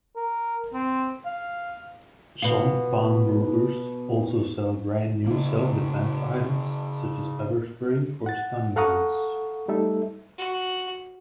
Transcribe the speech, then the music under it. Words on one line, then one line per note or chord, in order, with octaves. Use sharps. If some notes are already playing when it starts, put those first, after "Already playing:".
Some pawnbrokers also sell brand-new self-defense items such as pepper spray or stun guns.
A#4
C4
F5
B2 F4
C#3 A#3
F#5 A6
A4 F5 F#5 A#5 C#6 D#6
G3 A3 D#4 A4 E5
F#4